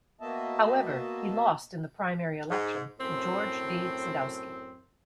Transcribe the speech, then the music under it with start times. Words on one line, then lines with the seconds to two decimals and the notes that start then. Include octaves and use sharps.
However, he lost in the primary election to George G. Sadowski.
0.21 A#3 B3 F#4 D#5 E5 A5
2.51 G#2
2.99 F#2 A2 C4